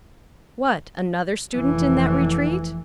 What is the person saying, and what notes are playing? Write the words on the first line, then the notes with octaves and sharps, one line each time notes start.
"What--another student in that retreat?"
F1 E3